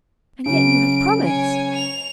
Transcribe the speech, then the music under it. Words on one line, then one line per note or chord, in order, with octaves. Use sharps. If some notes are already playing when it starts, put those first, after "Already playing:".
"And yet you have promised?"
C#3 F#3 D7
C#5 G#5
F7